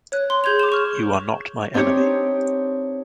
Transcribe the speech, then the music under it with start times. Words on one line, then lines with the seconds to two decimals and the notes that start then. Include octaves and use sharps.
You are not my enemy.
0.12 C#5 F#6
0.30 C6
0.44 G#4 G6 G#6 F7
0.59 D6 E7
0.72 C#6 F6
1.74 C4 D4 D#4 G4 C#5